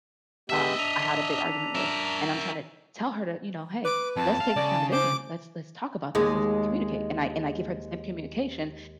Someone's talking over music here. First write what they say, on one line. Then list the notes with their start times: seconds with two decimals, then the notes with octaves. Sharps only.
um, I had a big argument with and I'm tryna tell her to, you know, "Hey, let's take accountability. Let's let's talk about this. Let's communicate." And I and I give her the same communication.
0.50 G#3 B3 G4 D#5 E5 E6 B6
0.78 D4 A#5 D#7 F7
1.75 A#4 E5
3.85 B4 D6
4.16 F2 A5
4.41 F5
4.56 C#3 D5
4.92 C5 D6
6.15 D#2 G#3